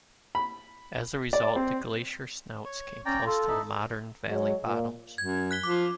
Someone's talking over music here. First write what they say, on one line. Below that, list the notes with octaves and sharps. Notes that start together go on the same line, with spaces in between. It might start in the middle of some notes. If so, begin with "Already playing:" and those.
As a result, the glacier snouts came close to the modern valley bottoms.
B5
D5
C4
C#5
C#4 D5 G5 A#5
F4 A4
D#4 E4
F#3 G#3 C#5
A#2
F#2 G#6
F#6 B6 G7
F3 D6